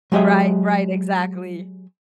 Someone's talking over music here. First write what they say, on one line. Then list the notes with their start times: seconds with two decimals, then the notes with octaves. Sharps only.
Right, right, exactly.
0.12 F#3 G#3 G4 D#5 E5